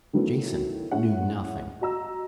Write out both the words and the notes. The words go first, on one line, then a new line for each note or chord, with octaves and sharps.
Jason knew nothing.
D#3 E3 F#3 A3 B3
C#4 E4 G#4 F#5
F#4 D#5 A#5 E6